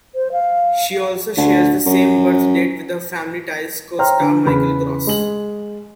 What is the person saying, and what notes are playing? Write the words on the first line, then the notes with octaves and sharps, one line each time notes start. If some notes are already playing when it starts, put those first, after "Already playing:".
She also shares the same birth date with her "Family Ties" co-star, Michael Gross.
C5
F5
D2
F#2
C5 C#5 G5 A#5 C6 F6
D3 B4
E2 C#3 B4 B5
G#3 F#7